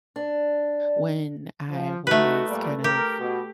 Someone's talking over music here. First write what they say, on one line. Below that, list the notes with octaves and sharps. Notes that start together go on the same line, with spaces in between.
when I was kind of
D4
F3
A3 D#4 F#4 B4
A#2 G3 D5
G4 A#4
B2